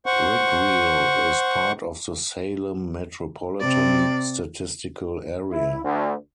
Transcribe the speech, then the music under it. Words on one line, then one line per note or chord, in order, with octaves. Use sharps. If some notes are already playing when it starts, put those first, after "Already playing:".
Rickreall is part of the Salem Metropolitan Statistical Area.
C5 F#5 C#6
C3 D5
E4
D2